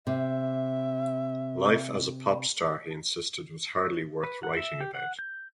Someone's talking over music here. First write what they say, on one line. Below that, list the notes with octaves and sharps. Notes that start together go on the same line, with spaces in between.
Life as a pop star, he insisted, was hardly worth writing about.
C3 E5
B4
F#5
E5
G4
F#5
G6